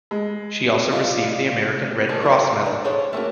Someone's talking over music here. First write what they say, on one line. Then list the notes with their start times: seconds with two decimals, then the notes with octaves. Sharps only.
She also received the American Red Cross Medal.
0.11 G#3
0.91 G3 F4 D5 D#5 F5
2.09 G3 A#3 D#4 G#4 A5
2.22 A3 E4 F#4 A#4
2.40 F#5
2.66 D4
2.84 G#4 A4 C5 C#5
3.13 A3 A#3 C#4 F#4